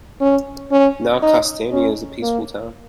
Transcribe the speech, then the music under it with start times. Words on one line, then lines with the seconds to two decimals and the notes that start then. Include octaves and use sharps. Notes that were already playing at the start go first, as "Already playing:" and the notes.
Now Kastania is a peaceful town.
0.21 C#4
0.72 C#4
1.22 D#4
1.72 C#4
2.23 A#3